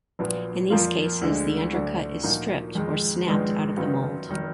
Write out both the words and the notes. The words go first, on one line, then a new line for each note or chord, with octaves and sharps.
In these cases the undercut is stripped or snapped out of the mold.
A#1 A#2 F#3 B3
F2 F3 A#3 F4
D2 D3 G#3
D2 D3 F#3 D4 F#4
A#2 F3 A#3 D#4 F#4
F2 D#3 G#3
A#1 G#2 D#3 G#3 B3
F#2 D#3 F#3 B3 F4
F1 D#3 F#3